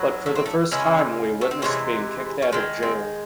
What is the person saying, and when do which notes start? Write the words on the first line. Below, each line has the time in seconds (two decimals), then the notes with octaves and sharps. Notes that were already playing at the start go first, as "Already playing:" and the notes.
But for the first time, we witnessed being kicked out of jail.
Already playing: A2 F#3
0.26 A3
0.35 C4
0.46 A3
0.71 C#3 G#3 C#4 E4
1.41 A3
1.51 C4
1.62 C3 E3 G#3 A3 C#4
2.42 C#4
2.52 D#3 G#3 C4
2.83 C4